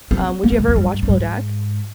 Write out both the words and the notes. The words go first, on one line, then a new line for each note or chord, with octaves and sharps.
rum, would you ever watch Below Deck?
C4
A#3
G#3
C#3
F2
G2
G2
G#2